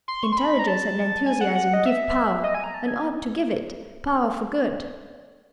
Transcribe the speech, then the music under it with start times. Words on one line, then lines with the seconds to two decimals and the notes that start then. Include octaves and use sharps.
Intelligence and enthusiasm give power, and ought to give it--power for good.
0.08 C6
0.23 C#6
0.32 C6
0.38 B5
0.59 A#5
0.68 A5
1.26 G#5
1.41 F#5
1.55 F#5
1.74 D#5
1.86 E5
2.43 D#5
2.54 G#5
2.64 A#5
2.74 A5
2.88 G#5